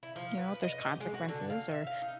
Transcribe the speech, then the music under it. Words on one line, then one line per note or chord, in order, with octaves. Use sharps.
you know, if there's consequences or
E4
F3
B4
D#5
G4
G#3
F#4
D3
F5
E5
F5
D#4